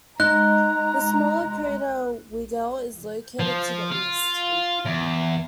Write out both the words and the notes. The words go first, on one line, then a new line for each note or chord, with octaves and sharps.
The smaller crater Weigel is located to the east.
G#3 D#4 A#5 F#6
F3
F4
E2